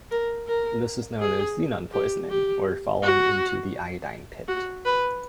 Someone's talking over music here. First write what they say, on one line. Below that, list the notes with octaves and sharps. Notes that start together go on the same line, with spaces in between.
This is known as xenon-poisoning or "falling into an iodine pit".
A#4
A#4
G#4
G4
G4
F#4
F#4
B4